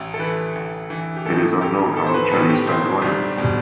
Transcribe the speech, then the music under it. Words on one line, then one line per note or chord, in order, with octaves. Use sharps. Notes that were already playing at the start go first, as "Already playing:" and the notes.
It is unknown how Miceli spent the money.
Already playing: A1
A4
E3 B4
A1
E3
G4
A2 A4
A1 G4
A2 A4
C5
B4
B4
A2 A4
G4
B1 C4
B1 G3
B2 G3